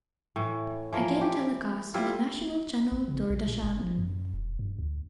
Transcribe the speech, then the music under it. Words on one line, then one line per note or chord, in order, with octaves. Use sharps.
Again telecast on the national channel Doordarshan.
A2 E3
E3 F3 A#4
G4
G3 C4 E4 F4
A1
C#3
A#1
A#2
G1
F3
F#2
E1
G2
D2